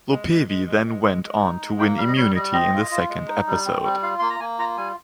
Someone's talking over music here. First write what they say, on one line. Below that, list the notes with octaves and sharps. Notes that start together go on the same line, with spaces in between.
Lopevi then went on to win immunity in the second episode.
G#3
G#3
G#3
G#3
G#3
G#3
G#3
D#4
G#3
A#3 G5
G3 F5
D#5
G3 C#5
G3 D#5
C4 D#5
F4
F4
G#3
D#4
G3
C4
G3
F4 F5
A#3 C6
A#5
A#3 G#5
F4 A#5
G3 G#5